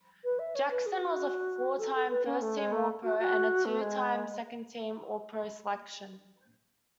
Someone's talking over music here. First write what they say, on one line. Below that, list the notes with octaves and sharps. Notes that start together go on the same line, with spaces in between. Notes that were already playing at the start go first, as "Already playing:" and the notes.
Jackson was a four-time first-team All-Pro and a two-time second-team All-Pro selection.
B4
E5
C#5
B4
G#4
F#4
A4
A4
B4
C#4
A3
G#3
A3
F#4
F#4
A3
G#3